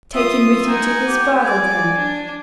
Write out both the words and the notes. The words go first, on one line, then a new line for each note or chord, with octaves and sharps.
"Take him with you to his father then."
F4 E5 D#6
D#4 F#5 G#5
G4
D5 G#5
D4